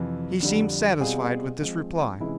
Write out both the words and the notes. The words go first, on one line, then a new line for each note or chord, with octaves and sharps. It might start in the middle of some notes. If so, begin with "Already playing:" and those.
He seemed satisfied with this reply.
Already playing: F2 C3 E3
F2 D3 G3
B2 G3 C4 F4 G#4
F3 G#3 C4
C3 E3 G#3 C#4 E4